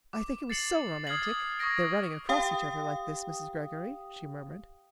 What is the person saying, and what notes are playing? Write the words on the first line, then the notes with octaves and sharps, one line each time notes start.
"I think it was so romantic--their running across each other like this, Mrs. Greggory," she murmured.
D6
A6 C7 C#7 F#7
D#6 F6 G#6 A6 C7 F#7
C#6 D#6 G#6 A#6 D7
G4 F5 G5 D#6